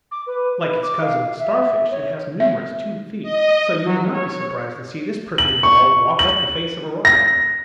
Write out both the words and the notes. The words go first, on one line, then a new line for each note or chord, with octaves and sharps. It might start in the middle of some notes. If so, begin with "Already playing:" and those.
Like its cousin the Starfish, it has numerous tube-feet, so you would not be surprised to see this prickly ball walk up the face of a rock.
D6
B4
B4
D6
F5
E5
C#5
E5
D#5
F#3
C#5
F#7
C#6
F#7
A#6